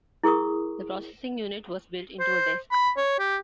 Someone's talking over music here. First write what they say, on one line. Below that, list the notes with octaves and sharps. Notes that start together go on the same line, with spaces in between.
The processing unit was built into a desk.
E4 G#4 A#4 C#6 D#6
C5
B5
C#5
G4